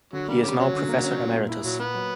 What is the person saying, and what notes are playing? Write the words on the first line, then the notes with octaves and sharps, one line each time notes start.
He is now professor emeritus.
D3 F#3
G3 A#3
G3 C#4
F#3 C#4
D3
A#3
C#4
A#2
A#3
E4
A#2 F#3
A#3 B3
F#3